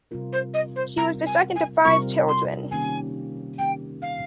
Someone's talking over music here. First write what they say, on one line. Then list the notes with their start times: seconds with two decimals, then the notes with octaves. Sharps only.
She was the second of five children.
0.11 C3 G3 C4 F4 A#4
0.32 C5
0.54 D#5
0.76 C5
0.97 C3 G3 C4 F4 A#4 A#5
1.26 G#5
1.55 G#5
1.84 C3 G3 C4 F4 A#4 C#6
2.28 C6
2.71 D#3 A#3 C#4 G4 G#5
3.58 D#3 A#3 C#4 G4 G5
4.02 F5